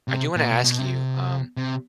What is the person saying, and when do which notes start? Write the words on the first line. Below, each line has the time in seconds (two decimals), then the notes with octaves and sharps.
I do wanna ask you, um,
0.08 C3
0.36 A#2
0.50 B2
0.64 B2
0.79 C3
1.57 C3